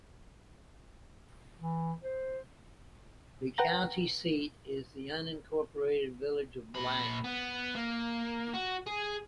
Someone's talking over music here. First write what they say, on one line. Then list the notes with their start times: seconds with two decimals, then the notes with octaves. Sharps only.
The county seat is the unincorporated village of Bland.
1.59 E3
2.03 C5
3.58 B4 F#5 G5 A#5 A#6
6.75 A#2 B5
7.24 B3
7.75 A#3
8.53 F#4
8.87 G#4